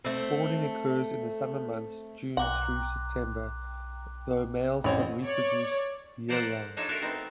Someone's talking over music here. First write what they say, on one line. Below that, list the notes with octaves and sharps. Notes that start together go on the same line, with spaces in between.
Spawning occurs in the summer months, June through September, though males can reproduce year-round.
A3 C4
B1 F#5 G5 A#5 C6 D6 F#6
A1 C4 C#5 B5
C#5 D5
A4 A#4 C5 D5 F5 F#5
D4 D#4 F4 A4 C#5
F#4 A4 A#4 E5 F5 G5
A3 B3 C4 D#4